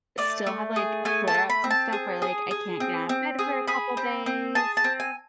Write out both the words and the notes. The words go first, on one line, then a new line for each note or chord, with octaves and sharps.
still have, like, flare ups and stuff where, like, I can't get out of bed for a couple days.
A3 D5
A3
G#4
A3 G#5
A5
A3
B5
C4
A5
G#4
G#4
G#4
C4
C4
G#4
G#4 B5
C4
C4
G#4 A5
A5
C4
G#5